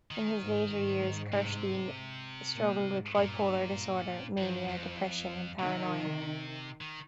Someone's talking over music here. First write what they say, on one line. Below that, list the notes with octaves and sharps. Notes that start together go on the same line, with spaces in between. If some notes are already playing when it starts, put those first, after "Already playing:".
In his later years, Kirstein struggled with bipolar disorder - mania, depression, and paranoia.
D#3
G#2
G#2
C3
A#2
G#2
G2 A#2
G2 F3
F2
C3 D#3
D#3